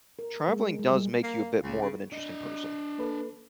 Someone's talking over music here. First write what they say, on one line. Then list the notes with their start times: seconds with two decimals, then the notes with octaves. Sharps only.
traveling does make you a bit more of an interesting person
0.19 A#4
0.48 G#3
0.79 G#3
0.91 G3
1.23 A#3
1.63 C#2
1.81 C#3
2.12 D4 D#5
2.98 A#3 A4 B4